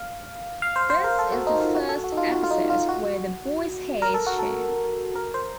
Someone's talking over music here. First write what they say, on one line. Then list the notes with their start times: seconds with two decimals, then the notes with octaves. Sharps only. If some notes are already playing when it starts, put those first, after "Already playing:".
This is the first episode where the boy's hair is shown.
Already playing: F5
0.62 F5
0.76 C5
0.90 C5
1.04 A#4
1.19 A4
1.32 F#4
1.47 D#4
1.61 F4
1.75 F#4
1.89 A4
2.04 F#4
2.12 D#4
2.17 F4
2.32 F#4
2.43 F4
2.51 D#4
2.70 F4
2.89 F#4
4.02 A#4
4.14 A4
4.27 F#4
4.39 A4
5.15 A#4
5.34 C5